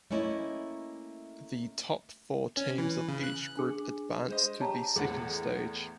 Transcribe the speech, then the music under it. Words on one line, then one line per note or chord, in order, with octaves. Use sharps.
The top four teams of each group advanced to the second stage.
A3 A#3 C#4 E4 C#5 D#5
C#4
E3
C#3
F#6
D4 G#4
G#3 C5 D#5
G4 C#5 A5 A#5
E2 A2 G#4 F#5